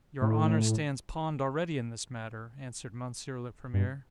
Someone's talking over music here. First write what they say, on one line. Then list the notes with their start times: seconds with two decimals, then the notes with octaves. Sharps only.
Your honour stands pawn'd already in this matter, answered Monsieur le Premier.
0.22 A2
3.74 G2